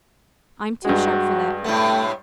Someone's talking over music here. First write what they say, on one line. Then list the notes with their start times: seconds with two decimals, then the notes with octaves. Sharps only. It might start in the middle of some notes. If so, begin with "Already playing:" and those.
I'm too sharp for that.
0.85 G2 G#3 F#4
1.64 A2 C3 A3 B3